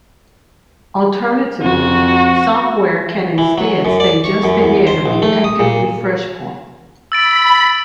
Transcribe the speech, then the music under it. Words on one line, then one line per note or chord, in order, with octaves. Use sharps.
Alternatively, software can instead stay just ahead of the active refresh point.
F2 F#4
E3
F#3
F#2
D5
C#6
F#2
E2
C5
A#1
A3
D#6
A#2
B5 E6 A6 D7